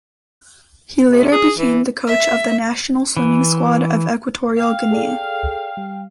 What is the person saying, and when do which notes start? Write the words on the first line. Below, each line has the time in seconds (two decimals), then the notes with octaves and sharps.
He later became the coach of the national swimming squad of Equatorial Guinea.
1.06 C3
1.31 G#4
1.58 E3
2.07 E5
3.17 E3
4.57 F5 G5
4.91 G#4 A4 D5
5.77 G3